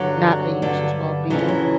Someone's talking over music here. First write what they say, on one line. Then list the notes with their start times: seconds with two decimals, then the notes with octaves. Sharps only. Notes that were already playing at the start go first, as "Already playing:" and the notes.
not a user's well-being.
Already playing: G2 D3 F#3
0.62 G2 D3
1.30 F2 C#3 E3 F#3
1.39 F3
1.48 F#3